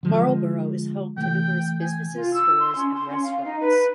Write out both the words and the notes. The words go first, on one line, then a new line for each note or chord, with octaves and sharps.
Marlborough is home to numerous businesses, stores and restaurants.
D3 F3 G#3
C3 E3 A3 G5
G#5
F4
E6
C6
C#4
C6
C#4
F5
D#4
B4